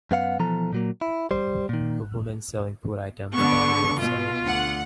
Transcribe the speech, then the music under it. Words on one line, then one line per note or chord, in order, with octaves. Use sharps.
A woman selling food items by the roadside.
F#2 B3 F5 F#5
B2 E3 F3 A4 A#5
A#2 F#3 A#3
E4
G3 C5
A#2 D#3
D3 B3 C#6
B2 F4
D2 F#5